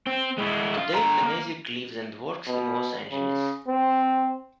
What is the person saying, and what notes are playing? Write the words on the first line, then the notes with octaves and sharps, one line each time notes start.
Today Penezic lives and works in Los Angeles.
C4
G#3 E4
F4
D3 A#5
A#3
B2
C#3
C4